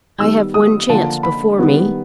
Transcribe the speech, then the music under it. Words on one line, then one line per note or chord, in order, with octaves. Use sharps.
I have one chance before me.
D#3 G3 B3 E6
D#6
D3 F3 A#3 D4 F4 A5
B5
D#3 G3 B3